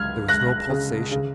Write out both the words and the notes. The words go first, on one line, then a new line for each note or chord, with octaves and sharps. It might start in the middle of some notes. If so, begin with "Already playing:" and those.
There was no pulsation.
Already playing: C#2 F#3 F6 G#6
C#2 F#6 A#6
C#3
C#3